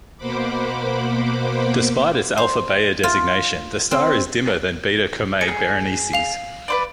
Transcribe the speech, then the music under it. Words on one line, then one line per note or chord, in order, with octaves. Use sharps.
Despite its Alpha Bayer designation, the star is dimmer than Beta Comae Berenices.
B2 A#3 C5 F#5 B5 D6
C5
F4
C4
G#4 C#7
F5 F7
B4 C5 D5